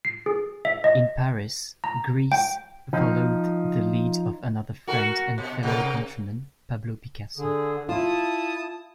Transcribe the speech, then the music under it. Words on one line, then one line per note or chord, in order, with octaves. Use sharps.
In Paris, Gris followed the lead of another friend and fellow countryman, Pablo Picasso.
C7
G#4
E5
D#5
A#5
G5
F3 D#4
F#4 A#4
B2
C3 A#4
D3 G#4
E4 F4 A5 D#6